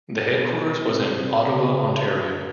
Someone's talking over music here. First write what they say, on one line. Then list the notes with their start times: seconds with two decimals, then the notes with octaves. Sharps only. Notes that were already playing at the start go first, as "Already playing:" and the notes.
The headquarters was in Ottawa, Ontario.
0.22 B2
0.83 C3
1.42 C#3
2.02 D3